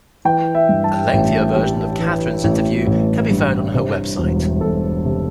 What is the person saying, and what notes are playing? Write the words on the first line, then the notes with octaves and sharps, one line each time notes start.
A lengthier version of Kathryn's interview can be found on her website.
E3 G5
E5
G2
A5
A1
G3
E3
A1
A1
G2
C3
E1
E1 A4
C3